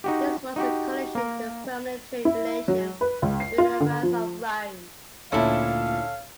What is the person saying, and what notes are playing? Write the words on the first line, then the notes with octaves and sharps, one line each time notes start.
This was a condition to permanent trade relations during the rise of Rome.
D#4 F#4 G4
D#4 F#4 G4
A#3 A#4
E4
F#3
B4
C#2
C7
F4
D3
F3
D2 A#2 C#4 D4 E4 A4 F5